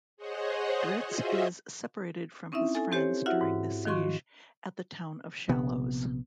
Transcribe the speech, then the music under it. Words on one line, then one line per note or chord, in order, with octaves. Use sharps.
Drizzt is separated from his friends during the siege at the town of Shallows.
G#4 C5 C#5 D#5 F#5
F4 F#4 G#4 C5 D#5 E5
C4 C#4 D#4 E4 E5
A4 G#5
C4 G4 C5 C#5
E4 F#4 E5 F#5 F6
G#2
D#3 F3 F#4 C6 C#6
A#1 C3 B3